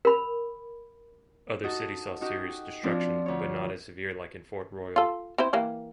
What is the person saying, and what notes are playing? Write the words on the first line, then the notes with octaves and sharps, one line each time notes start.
Other cities saw serious destruction but not as severe like in Fort Royal.
A#4 B5
D#4 F#4 A4
D#4 F#4 G4
F3 C4 D4
D2 C#5
F4 A4
C4 E4 C5
E3 A#3 G4